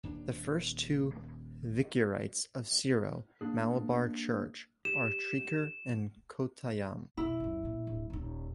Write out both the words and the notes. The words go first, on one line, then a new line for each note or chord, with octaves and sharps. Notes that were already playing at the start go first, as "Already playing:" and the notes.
The first two Vicariates of Syro Malabar Church are Trichur and Kottayam.
D#1 D4
A#3 D4 G#4
G4 E7
F1 B2 E4
C#2 F#2
A#2 C#3
D1
D#1 D#4